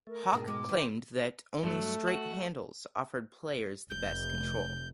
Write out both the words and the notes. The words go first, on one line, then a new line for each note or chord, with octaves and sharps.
Hock claimed that only straight handles offered players the best control.
A3 A#4
G#2 B2 D4 F#4 G#4
G#3 D6
D#3 E3 C5
G2 F#3 A3
F#4
F1 G6